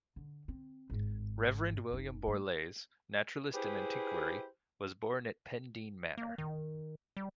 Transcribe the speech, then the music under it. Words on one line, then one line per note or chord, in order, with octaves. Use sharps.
Reverend William Borlase, naturalist and antiquary, was born at Pendeen Manor.
D3
C4
G#1 G#2
F#1 D#4
G2 A3
E4 G4 G#4 B4 C5
A#3
D#3
G3